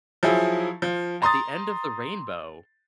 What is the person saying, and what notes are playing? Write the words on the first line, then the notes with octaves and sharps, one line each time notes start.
at the end of the rainbow,
F3 F#3 E4 G#4
F3
A#5 C6 D#6 A6